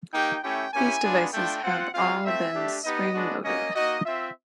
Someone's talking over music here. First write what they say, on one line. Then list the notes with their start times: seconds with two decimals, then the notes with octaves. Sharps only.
These devices have all been spring loaded.
0.12 A#3 D#4 G4 G5
0.42 A3 C#4 E4 G4 G5
0.72 A#3 C#4 E4 G4 G#5
1.03 G#3 B3 D4 F4
1.32 A3 D4 F4 G5
1.63 C4 F4 F#5
1.94 G#3 C4 F4 F5
2.24 A3 C4 F4 E5
2.54 A3 D4 G4
2.84 B3 D#4 G4 D#5
3.14 G#3 B3 D4 F#4
3.44 A#3 C#4 F#4 D#5
3.75 A#3 D#4 F#4 D#5
4.05 C4 F4 E5